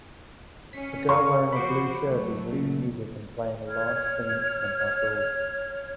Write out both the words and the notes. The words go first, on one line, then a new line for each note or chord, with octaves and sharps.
A girl wearing a blue shirt is reading music and playing a large string instrument outdoors.
C#4 B6
A#4 C#5 F5 C#6
F3 F#4 C5 B5 D6
F#3 A3
C#3
C#5 F6 G#6